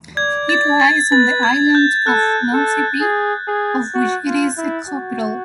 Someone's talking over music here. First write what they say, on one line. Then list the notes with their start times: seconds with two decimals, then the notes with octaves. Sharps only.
It lies on the island of Nosy Be, of which it is the capital.
0.17 D5 G#6
0.49 A6
0.80 A6
1.12 B4 A6
1.43 G#6
1.75 G6
2.06 A4 F#6
2.53 A4
3.01 G#4
3.48 G#4
3.94 F#4
4.26 F4
4.58 E4
4.88 F#4